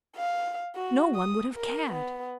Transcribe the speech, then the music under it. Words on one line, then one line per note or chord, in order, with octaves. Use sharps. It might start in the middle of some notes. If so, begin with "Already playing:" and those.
No one would have cared.
F5
F#4
D#6
A#4
B3